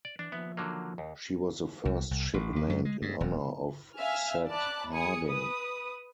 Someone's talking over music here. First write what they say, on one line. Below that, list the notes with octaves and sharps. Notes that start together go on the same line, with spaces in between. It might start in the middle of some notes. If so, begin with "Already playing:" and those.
She was the first ship named in honor of Seth Harding.
D5
E3 D4
D#2 F3 B3 E5
D3 F#3 A#3
D#2
C2
C2
A1
D#2
F#2
G#3
G2
D#1
E5 F5 G#5 F6
D5 A5 B5 D6 F#6
G#4 G#5 D#6 C#7
B4 D#6